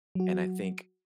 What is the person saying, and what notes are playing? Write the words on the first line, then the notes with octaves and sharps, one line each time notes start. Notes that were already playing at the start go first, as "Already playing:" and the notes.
and I think
F#3 F#4